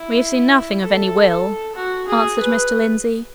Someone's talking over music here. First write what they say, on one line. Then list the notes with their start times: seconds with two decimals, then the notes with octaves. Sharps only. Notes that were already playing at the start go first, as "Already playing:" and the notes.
"We've seen nothing of any will," answered Mr. Lindsey.
Already playing: E4
0.82 A4
1.76 F#4
2.08 G#4
2.39 B4